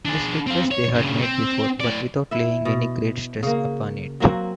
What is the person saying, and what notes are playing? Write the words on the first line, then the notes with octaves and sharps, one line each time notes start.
This request they had made before, but without laying any great stress upon it.
D4 G#4
C4 F5
C#5
G2 C#3
C4
A2 D5
E4 E5
B2
C#3 A#3
F#3 A#3 C4 F#4